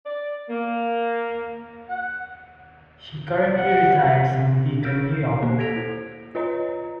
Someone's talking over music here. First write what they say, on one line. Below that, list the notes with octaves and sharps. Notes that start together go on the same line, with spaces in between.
He currently resides in Beacon, New York.
D5
A#3
F#5
F#5
E6 F6 G6 D7
C7
A#3 C5
A4 G#6 A#6 B6 D7 F7
E4
F4 B4 C#5 D#5 A#5